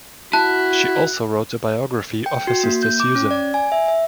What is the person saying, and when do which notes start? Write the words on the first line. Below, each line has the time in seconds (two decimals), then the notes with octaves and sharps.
She also wrote a biography of her sister Susan.
0.33 E4 F#4 A5 F#6
2.26 G5
2.47 F#4
2.63 A#3
2.83 G6
3.00 D6
3.15 C#4
3.31 D5
3.54 G#5
3.72 E5
3.88 E5